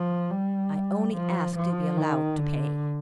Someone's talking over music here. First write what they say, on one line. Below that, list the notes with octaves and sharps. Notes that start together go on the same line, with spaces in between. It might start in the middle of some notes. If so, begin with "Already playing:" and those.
"I only ask to be allowed to pay."
Already playing: F3
G3
F3
F3
D#3
D3